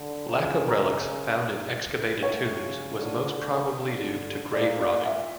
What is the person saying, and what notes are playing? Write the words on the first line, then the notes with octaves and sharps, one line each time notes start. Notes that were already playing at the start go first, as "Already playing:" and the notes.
Lack of relics found in excavated tombs was most probably due to grave robbing.
Already playing: D3
C#3
C#3 A#4
A2 C#5
C#3
D3
D3
A#2 D5
D5
E5